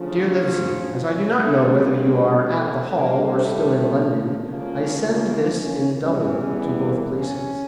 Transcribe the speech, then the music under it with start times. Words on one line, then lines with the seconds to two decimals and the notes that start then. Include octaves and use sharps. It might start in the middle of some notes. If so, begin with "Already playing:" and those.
Dear Livesey--As I do not know whether you are at the hall or still in London, I send this in double to both places.
Already playing: D2 C#3 F3
0.26 C#4
1.02 C#4
1.41 D2 C#3 G3 A3
1.79 A#3
2.56 A3
2.94 A#1 A2 G3 A#3
3.32 A3
4.47 C#2 C#3 F3 A#3
5.24 A#3
5.62 C#4
6.01 E2 E3 G3 C#4
6.77 A#3
7.16 C#4